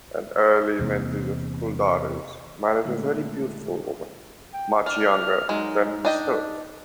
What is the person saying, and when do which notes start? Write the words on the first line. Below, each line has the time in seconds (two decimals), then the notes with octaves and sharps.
An early Menzies of Culdares married a very beautiful woman much younger than himself.
0.79 E2 C3 E3 A#3
2.85 A#2 D3 G#3 A3 E4
4.54 G5
4.86 D4 F6
5.49 F#3 G#3 D#4
6.05 D4 D#5 G5